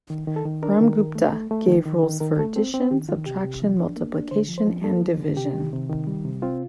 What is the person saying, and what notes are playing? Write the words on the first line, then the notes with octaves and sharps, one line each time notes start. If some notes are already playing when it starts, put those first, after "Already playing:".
Brahmagupta gave rules for addition, subtraction, multiplication and division.
D#3
D#3
A4
D#3
D4 A#4
D#3
D#3
A3
A3
A3
D#3
D#3
D#3
D#3 A#4
A3 A4
C4 A4
C4
D#3 G4
D#3 F4
C3 G4
C3
F3
D4
A#3
D4
D3 C5
F3
C5
F3
A#3 A4
F3
D3
C3 G4
D#3
C3
D#3
G3
C3
C4 F4